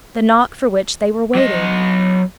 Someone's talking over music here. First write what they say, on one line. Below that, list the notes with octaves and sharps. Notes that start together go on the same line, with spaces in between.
The knock for which they were waiting!
F#3 D#5